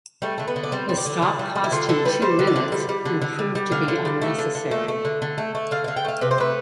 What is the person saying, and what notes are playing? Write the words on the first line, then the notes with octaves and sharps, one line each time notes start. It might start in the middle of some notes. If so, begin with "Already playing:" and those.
The stop cost him two minutes, and proved to be unnecessary.
G3 A3
D3 A3
B3
D3
D4
G3 C4
G3
D4
D3
D3
G3
G3
E4
D3 F4
D3 A4
G3 B4
G3 C5
D3
D5
D3
G3
G3
D3
D3
G3
G3
D3 F5
D3
G3
A3
D3
D3
A3
A3
D3
D3
A3
A3
D3 F5
D3 F5
G5
A3 F5
C3 B4
C5
A3 B4